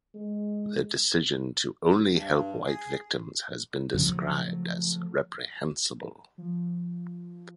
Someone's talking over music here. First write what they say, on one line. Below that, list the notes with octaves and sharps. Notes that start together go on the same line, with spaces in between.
Their decision to only help white victims has been described as "Reprehensible".
G#3
G2
G#4
C#3 F3 F#3 A3
F3